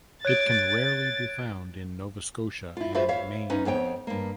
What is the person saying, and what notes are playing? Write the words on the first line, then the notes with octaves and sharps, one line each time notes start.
It can rarely be found in Nova Scotia and Maine.
C#5 F#6 G#6 A6 D7
E4 F4
F4 F#4 G#4 B4 C5 E5
C#5 E5 F5
C#4 D#4 B4
F2 B3 C#5 G5
G2 A#3